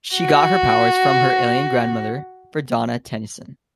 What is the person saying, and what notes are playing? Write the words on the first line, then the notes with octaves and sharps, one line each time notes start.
She got her powers from her alien grandmother, Verdona Tennyson.
F#4